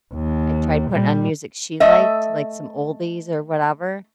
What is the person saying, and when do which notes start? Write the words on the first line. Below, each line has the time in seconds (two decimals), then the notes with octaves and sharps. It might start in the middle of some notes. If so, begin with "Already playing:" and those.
I tried putting on music she liked, like some oldies or whatever.
0.14 D#2
0.90 A#2 G3
1.80 A3 D#5 E5